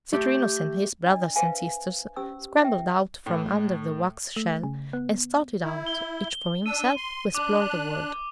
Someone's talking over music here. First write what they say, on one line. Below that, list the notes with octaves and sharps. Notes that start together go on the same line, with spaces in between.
Citrinus and his brothers and sisters scrambled out from under the wax shell and started out each for himself to explore the world.
A3 G4 G6
D4 D#5
B4 C5 E5 F5 G#5
C#4 G4 C5 E6
E5 G5
A2
A3
C#3
B3
E4
G7
D4 E6 D#7
C6
D4 D6 F#6